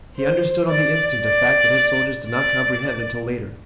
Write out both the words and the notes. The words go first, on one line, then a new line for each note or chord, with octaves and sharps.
He understood on the instant a fact that his soldiers did not comprehend until later.
C5
D5
D5
D5